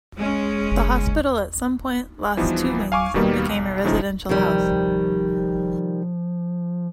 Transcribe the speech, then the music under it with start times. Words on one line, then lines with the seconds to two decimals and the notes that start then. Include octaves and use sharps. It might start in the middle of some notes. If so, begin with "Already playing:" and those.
The Hospital at some point lost two wings, and became a residential house.
0.18 G#3 C#4
0.71 F#1
2.37 E3 F3 G3 B3 D#4
2.92 F5 G#5 C#6 D6
3.14 B2 D#3 G3 A#3 B3
3.49 B1
3.85 A2 C#3 F3 D#4
4.29 C3 D#3 F3 G3